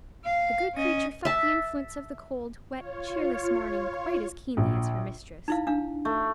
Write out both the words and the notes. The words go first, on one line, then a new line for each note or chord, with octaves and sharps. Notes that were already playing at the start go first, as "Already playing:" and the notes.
The good creature felt the influence of the cold, wet, cheerless morning quite as keenly as her mistress.
F5
C#4 D#5
E5 A5
F4 C#5
A#1
D#4 E4 F5
D4 F5
A3